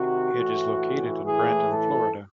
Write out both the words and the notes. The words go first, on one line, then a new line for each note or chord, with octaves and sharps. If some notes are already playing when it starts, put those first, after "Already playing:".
It is located in Brandon, Florida.
Already playing: C3 D#3 F#4
A2 E3
A2 E3 G#4
A4